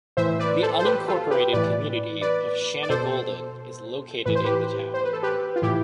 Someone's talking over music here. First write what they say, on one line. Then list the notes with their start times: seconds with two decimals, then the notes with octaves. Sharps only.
The unincorporated community of Shanagolden is located in the town.
0.17 A2 E3 C5 E5
0.39 B4 D5
0.63 A4 C5
0.79 C5
0.85 G4 B4
1.08 F4 A4
1.30 G4 B4
1.53 A2 E3 B4 D5
2.21 B4 D5
2.83 D5
2.90 B2 A4 C5
4.26 A2 E3 B4
4.35 C5
4.44 G4 B4
4.94 C5
5.04 B4
5.13 A4
5.23 G4 B4
5.56 F4
5.62 A2 E3 E4 G4